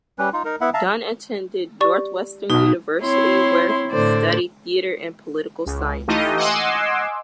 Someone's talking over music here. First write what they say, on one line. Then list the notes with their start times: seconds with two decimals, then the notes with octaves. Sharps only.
Dunn attended Northwestern University, where he studied theatre and political science.
0.19 G3 C#4 B4
0.33 D#4 F4
0.45 D#4 A#4
0.61 B3 E4 E5 F#5
0.74 E5 F5 A5 A#5
1.81 G4 D5 C#6
2.50 B1 B2 D#4
3.03 C4 E4 C#5 C6
3.91 A2 D3 C5 D5
5.66 C#2
6.08 E3 A3 D#4 F4 G4 D#5
6.37 D#5 F#5 G#5 C6 D6 E6